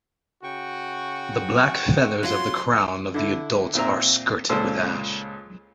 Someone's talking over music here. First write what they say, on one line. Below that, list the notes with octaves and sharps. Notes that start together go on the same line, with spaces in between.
The black feathers of the crown of the adult are skirted with ash.
C#3 F#4 G5 C#6
F#3 F4 C6
D3 E4
A#2 C4 E5 A#5
C#2 A#2 A4 C5 E6